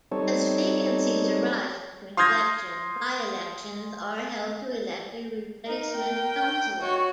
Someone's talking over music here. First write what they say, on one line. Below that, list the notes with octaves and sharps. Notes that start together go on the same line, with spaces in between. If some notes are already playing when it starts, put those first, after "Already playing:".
As vacancies arise between elections, by-elections are held to elect a replacement councillor.
G3 C4 D#4 A4 C#5
C6 D#6 F6 G6 G#6 A#6
D#4 A#4
G5
F#4 C#5